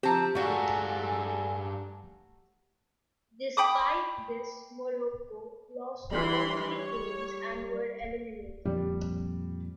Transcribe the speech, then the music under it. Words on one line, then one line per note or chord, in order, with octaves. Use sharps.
Despite this, Morocco lost all three games and were eliminated.
F3 C4 G4 A5 A#5
G2 A3 F#4 G#4 A4 D5 F5 G#5
G5 B5 D6 D#6
E3 G3 B5 C6
C#5
F2 A#2 G3